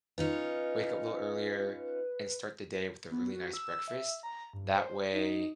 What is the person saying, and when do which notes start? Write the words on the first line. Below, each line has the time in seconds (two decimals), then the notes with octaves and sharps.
wake up a little earlier and start the day with a really nice breakfast. That way
0.18 C#4 D#4 F4 B4
3.11 B3
3.33 F#4
3.53 E6
3.88 E5
4.23 A#5
4.53 G2
4.76 C5
5.13 D#4